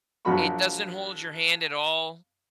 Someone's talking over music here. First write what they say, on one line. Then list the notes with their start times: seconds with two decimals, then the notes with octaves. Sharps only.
It doesn't hold your hand at all.
0.25 A#1 F3 F#3 F#4 B5 C#6